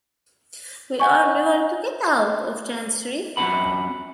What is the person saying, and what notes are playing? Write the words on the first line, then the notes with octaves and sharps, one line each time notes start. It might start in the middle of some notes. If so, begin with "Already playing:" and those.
We are never to get out of Chancery!
F#5 G#5 C#6
F#2 G#3 C4 F#4 F#5 B5